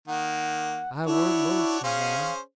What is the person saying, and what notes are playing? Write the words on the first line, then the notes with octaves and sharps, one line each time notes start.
I warn't lonesome now.
D#3 A#3 F#5
D4 E4 F#4 C#5
C#4 G#4 C5 F5